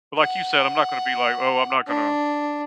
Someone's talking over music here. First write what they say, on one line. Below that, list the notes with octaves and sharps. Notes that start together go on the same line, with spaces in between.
but like you said, I'm not gonna be like, "Oh, I'm not gonna
F#5
D4